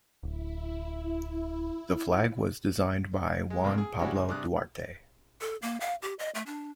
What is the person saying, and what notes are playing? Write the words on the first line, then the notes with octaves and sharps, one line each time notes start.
The flag was designed by Juan Pablo Duarte.
D1 E4
G#3
C2 F2 A#3
G#4
G3 G#3 C#4 D4 E4 F#4
C#2
G2 C3 D6 D#6 F#6
A4
A#3
F5
G4
D#5
A3
D4